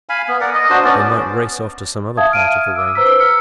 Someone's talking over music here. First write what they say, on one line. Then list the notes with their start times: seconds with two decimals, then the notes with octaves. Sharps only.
They might race off to some other part of the range.
0.09 F5 G#5 B5
0.28 B3
0.41 A#4 D5 F#5
0.54 D#5
0.70 D4 F#4 C5
0.84 B3 C#4 D5
2.17 E5 F5 A5 D#6 G#6
2.32 F6 D7 D#7
2.76 D6 E6
2.95 B4 C5 A#5 E6 B6
3.20 E6 F6 C#7